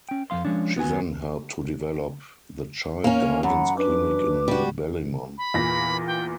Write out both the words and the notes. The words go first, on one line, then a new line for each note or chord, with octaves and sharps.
She then helped to develop the Child Guidance Clinic in Ballymun.
C#4 G5
F2 G#3 F5 C6
F3 G#3 C#4 D4
D#2 B3 F#4 F#5 G#5
A#3 C#4 G#5
F#2 F#5 A#5 B5
D4 B4 D6
G3 F#4
B5
E2 A#2 A#6
G5